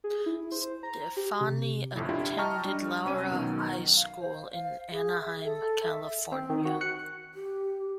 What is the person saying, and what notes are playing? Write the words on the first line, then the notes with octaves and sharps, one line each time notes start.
Stefani attended Loara High School in Anaheim, California.
G#4
E4
C5
A#5
G4
C3
G1 F2 A2 E4
D4 E4 F4 G4
D#5 G5 A5 A#5 C#6 F6
G3 D4
C2 C4 C#4 D#7
B2 D#3 F#3
F5
C5
F5
G#4
E5
A4
E5
C4
D#3
F#4
F#6 C#7
G4